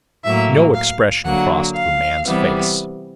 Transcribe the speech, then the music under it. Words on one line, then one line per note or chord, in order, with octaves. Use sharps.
No expression crossed the man's face.
A2 F#3 A#3 E5
F5
D3 F#3 A#3 F#5
F5
C3 E3 G3 B3